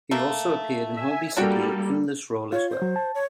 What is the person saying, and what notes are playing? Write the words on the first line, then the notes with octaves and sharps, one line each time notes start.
He also appeared in "Holby City" in this role as well.
A3 A#3
E5 G#5
G3 A#3 D4 F#4 A4 G5
F4 C#5
C5
F#3
A5
C#5